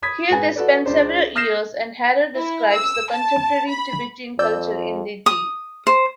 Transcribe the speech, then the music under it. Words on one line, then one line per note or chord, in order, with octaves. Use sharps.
Here they spent several years, and Harrer describes the contemporary Tibetan culture in detail.
B5 D#6 G#6 B6
G#2 B4 G#5
F#4 A4 B4 D5
C#2 D4 C5
D#6 F6 G6 A#6 C7 E7
E4
E6
A5
B5
F2 D5 E6 G6
D#6
C5